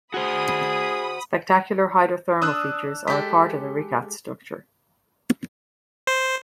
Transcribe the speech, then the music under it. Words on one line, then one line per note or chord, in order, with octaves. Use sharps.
Spectacular hydrothermal features are a part of the Richat Structure.
F#4 G#4 C5 B5 D#6
D4 D#6 E6 F#6
G#3 G4 A4 B6
C5